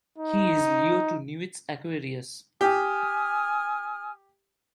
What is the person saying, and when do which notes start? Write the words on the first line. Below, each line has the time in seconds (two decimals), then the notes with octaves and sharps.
He is Leo to Nuit's Aquarius.
0.18 D#4
2.61 G4 G#5 D#6 F6